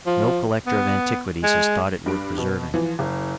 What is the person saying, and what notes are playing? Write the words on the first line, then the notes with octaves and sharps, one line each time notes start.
No collector of antiquities has thought it worth preserving.
F3
B3
G#3
G2 D7
B2
E3 F3
F#1